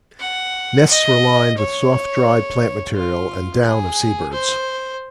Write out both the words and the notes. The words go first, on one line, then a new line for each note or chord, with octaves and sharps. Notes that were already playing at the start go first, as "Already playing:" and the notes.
Nests were lined with soft dried plant material and down of seabirds.
F#5
D#5
C#5
F4
G#4
C5